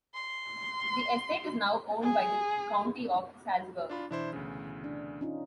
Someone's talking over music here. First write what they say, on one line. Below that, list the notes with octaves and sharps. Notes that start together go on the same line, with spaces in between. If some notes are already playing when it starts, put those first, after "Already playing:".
The estate is now owned by the county of Salzburg.
C6
G#4
D4 F4 B5
B2 E3 D4 E4 C5
D2 C#3
D4
C#4 D#4 F4